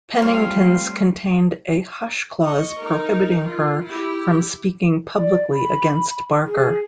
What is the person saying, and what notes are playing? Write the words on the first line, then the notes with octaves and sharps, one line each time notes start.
Pennington's contained a hush clause prohibiting her from speaking publicly against Barker.
G3 A3 C4 F4 C5 C#5 F5
D#5 C#6
D#4 A#4
F4
E4 G4
D5
B5
G#4